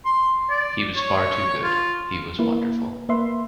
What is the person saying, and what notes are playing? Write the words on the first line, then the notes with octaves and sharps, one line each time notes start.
He was far too good, he was wonderful.
C6
D5
C#5
F4
A#3 E4 B4
A#3 B4 E5 C6